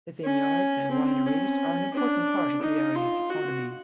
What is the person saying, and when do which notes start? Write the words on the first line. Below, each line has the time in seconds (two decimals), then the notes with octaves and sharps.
The vineyards and wineries are an important part of the area's economy.
0.24 C#4
0.91 C4
1.26 C#4
1.94 D4
2.62 D#4
2.95 F4
3.29 F#4